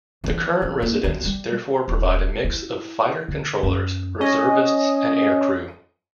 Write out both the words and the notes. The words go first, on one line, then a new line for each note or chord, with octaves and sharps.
The current residents therefore provide a mix of fighter controllers, reservists and aircrew.
E3 D4
A1
A#3
D2 D#3
G3
D#1
E4
D3
F#2
C#4 D#5